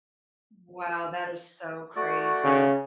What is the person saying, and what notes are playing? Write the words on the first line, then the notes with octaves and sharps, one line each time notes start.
Wow. That is so crazy.
A3 F#4 D5
C#3